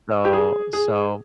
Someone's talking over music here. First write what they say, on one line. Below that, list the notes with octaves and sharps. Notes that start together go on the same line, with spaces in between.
So so
G4
G#4
G#4